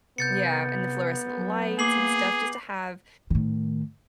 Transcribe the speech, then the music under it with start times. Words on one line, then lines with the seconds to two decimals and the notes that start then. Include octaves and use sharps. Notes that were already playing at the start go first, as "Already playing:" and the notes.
Yeah, and the fluorescent lights and stuff, just to have,
0.18 C3 B3 G6 A6 C#7
1.37 F#3
1.79 A#3 G#4 D6 C7 F#7
3.30 A2 D#3